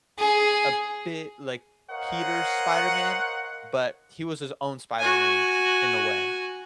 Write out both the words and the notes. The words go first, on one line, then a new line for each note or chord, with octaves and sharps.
a bit like Peter's Spider-Man, but he was his own Spider-Man in a way.
G#4
A#4 C5 C#5 D#5 F5 F#5
F#4 G#5